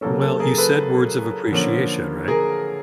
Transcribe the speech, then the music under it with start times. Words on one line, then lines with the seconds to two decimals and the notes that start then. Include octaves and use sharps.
Well, you said words of appreciation, right?
0.01 C#3 F#3 A#3 C#4 A4
0.21 A4
0.40 G#4 A#4
0.58 A4 B4
1.52 D3 F3 A#3 C#4
2.28 G#4 A#4